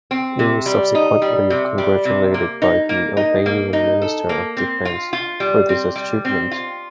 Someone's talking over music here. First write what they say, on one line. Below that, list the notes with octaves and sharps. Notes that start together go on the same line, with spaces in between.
He was subsequently congratulated by the Albanian Minister of Defence for this achievement.
C4
C3
G3
D#4
G3
C3
G3
C3
A#3
D#4
A#3
D#4
A#3
D#4
A4
A#3
C4
F4
F4
G3
C4
G3
C4
F4